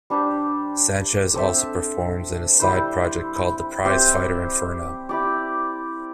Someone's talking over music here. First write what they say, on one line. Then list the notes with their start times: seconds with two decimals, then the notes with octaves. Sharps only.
Sanchez also performs in a side project called The Prize Fighter Inferno.
0.10 G3 D4 G4 C5
1.35 C4 A4 C5 E5
2.60 G3 E4 C5
3.85 C4 G4 C5 E5
5.09 E4 G4 D5